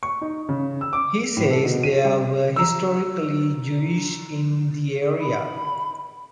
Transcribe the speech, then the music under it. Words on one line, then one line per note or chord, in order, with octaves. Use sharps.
He says there were historically Jews in the area.
C#6
D#4
C#3
E6
D6
A2
A4
B2
D#7
G3
A#5 E6
B5